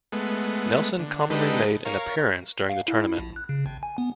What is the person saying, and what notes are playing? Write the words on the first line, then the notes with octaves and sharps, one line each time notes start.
Nelson commonly made an appearance during the tournament.
G#3 A3 B3
D3
D3 G#3 D#4 G4 A4 B4
A#4 C#5 F5
F5
E4
A#1
F#6
C#3
G#1
G#5
B3